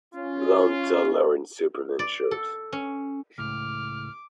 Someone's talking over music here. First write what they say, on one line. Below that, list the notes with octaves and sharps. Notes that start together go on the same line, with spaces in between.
Blond toddler in superman shirt.
C#4 F4
D5
A4
C#4
C#2 A2 D6 F6